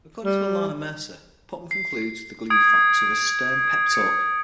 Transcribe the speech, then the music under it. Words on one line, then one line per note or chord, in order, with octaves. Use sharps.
According to Ilana Mercer "Putnam concludes the gloomy facts with a stern pep talk".
G3
C7
C7
D#6 G#6 D7
A6 C#7